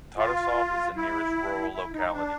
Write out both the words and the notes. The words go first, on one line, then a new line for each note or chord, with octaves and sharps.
Tarasov is the nearest rural locality.
F4
E4
E4
D#4
D4